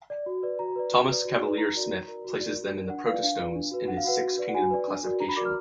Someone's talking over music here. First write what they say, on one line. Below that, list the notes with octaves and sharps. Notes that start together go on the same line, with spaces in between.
Thomas Cavalier-Smith places them in the protostomes in his "Six Kingdom" classification.
D5
F#4
B4 D5
F#4 A#5
B4 D5
F#4
B4 D5
F#4
B4 D5
D#4 A#5
F#4 A#4 D5
D#4
F#4 A#4 D5
F#4
A#4 D5
F#4
A#4 D5
D4 F#5
F4 B4 D5 F5
D4 F5
F4 B4 D5
D4
F#4 B4
D4 F#5
F5
F#4 B4 F#5
F#4
B4 D5
F#5
F#4 G#5
B4 D5
D4
F#4 A#4 D5
D4 A#5
B5
F#4 A#4 D5 D6
F6